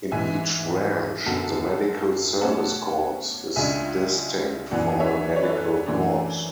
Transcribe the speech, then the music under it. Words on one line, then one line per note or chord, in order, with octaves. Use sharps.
In each branch, the Medical Service Corps is distinct from a medical corps.
G#2 E3 G#3 E5 G#5
F#2 D3 F#3 B3 F#5 A5
B2 A3 C#4 F#5 A5
C#2 C#3 G#3 D4 E5 G#5
F#2 E3 B3 D5 F#5
C#5 E5
D5
C#5
B4
A4 C#5
F#2 E3 A3 D4